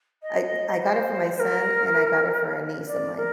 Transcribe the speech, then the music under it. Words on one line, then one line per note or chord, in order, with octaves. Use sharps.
I I got it for my son and I got it for a niece of mine,
D#5
C5
C5
A#4
D5
A#4